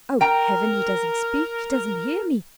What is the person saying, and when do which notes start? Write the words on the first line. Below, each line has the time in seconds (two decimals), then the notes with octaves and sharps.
Oh, Heaven! he doesn't speak--he doesn't hear me!
0.21 A#4 G5 A#5